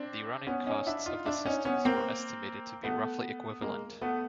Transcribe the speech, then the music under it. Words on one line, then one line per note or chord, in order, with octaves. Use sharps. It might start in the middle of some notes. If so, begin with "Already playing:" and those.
The running costs of the systems were estimated to be roughly equivalent.
Already playing: C4 D4
B3 C#4
C#4 D#4
D4 E4
D#4 F4
D4 E4
C#4 D#4
B3 C#4
A#3 C4
A3 B3
G#3 A#3
A3 B3